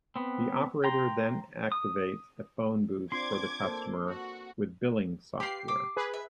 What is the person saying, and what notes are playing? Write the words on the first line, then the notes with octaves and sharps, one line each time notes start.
The operator then activates a phone booth for the customer with billing software.
B3 C4
G5 A#5 C6
D#6
C4 D4 F4 C6 D6 G#6
A#3 A4 C5
F#4
F4 G4 B4 C7
D6 E6
G#4 B4
E5